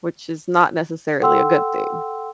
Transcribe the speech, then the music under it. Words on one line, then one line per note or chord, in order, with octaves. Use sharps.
which is not necessarily a good thing.
A4 F#5 G5 C6 E6